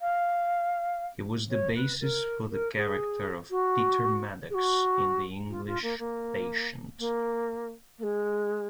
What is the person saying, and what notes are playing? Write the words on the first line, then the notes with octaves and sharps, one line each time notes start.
He was the basis for the character of Peter Madox in "The English Patient".
F5
C#5
B4
A#4
A#4
G#4
F#4
G#4
F#4
F4
F4
A#3
A#3
A#3
A#3
G#3